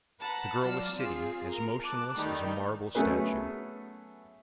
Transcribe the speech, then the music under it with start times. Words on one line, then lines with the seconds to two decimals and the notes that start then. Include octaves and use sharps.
The girl was sitting as motionless as a marble statue.
0.20 B4 F#5 A5 A#5
0.63 F#3 F4 D5 E6 F6
0.94 C4 F4 G#4
1.49 A#4
1.82 A5 D6 F#6
2.15 D#3 G3 A3 D#4
2.95 F#3 A3 B3 C#4 G#4 B4